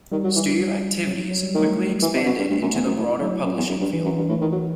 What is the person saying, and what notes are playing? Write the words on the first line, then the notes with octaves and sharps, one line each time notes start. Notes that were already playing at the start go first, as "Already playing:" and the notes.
Studio activities quickly expanded into the broader publishing field.
D#3 G3
F#3
E3
F#3
F#3
F#3
G3
D#3 A3
E3
C3
B2
G2
G2 A3
F#2
E2
F#2
A2
A2 F#3
F#2
E2
F#2
G2
E3
F#2
G2
A2
D#3
F#3